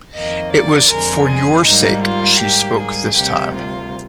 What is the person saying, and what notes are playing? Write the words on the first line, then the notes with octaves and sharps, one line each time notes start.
It was for your sake she spoke this time.
F2 D#3 A#3 D#5
D5
F2 D3 G#3 A#4
G#4
G#2 G3 A#3 D#4
F4
G#2 G3 A#3 G4
G#4
D2 C3 G3 A#3 G4
F4